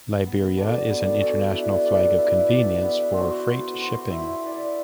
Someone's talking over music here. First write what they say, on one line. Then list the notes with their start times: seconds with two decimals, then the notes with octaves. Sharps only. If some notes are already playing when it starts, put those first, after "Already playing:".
Liberia is an international flag of convenience for freight shipping.
0.25 B3
0.57 D4 F#4 A4
0.89 B3
1.21 D4 F#4 A4
1.53 E4
1.85 B4 D5
2.18 E4
2.50 B4 D5
2.81 B3
3.14 F#4 C5
3.47 B3
3.79 F#4 C5
4.11 E4
4.43 B4 D5